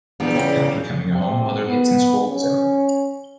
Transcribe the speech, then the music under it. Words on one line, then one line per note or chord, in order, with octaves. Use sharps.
After coming home mother hits and scolds him.
E2 A#2 G3 B3 D4
C#3 C#5 G5
C3
B3
C#4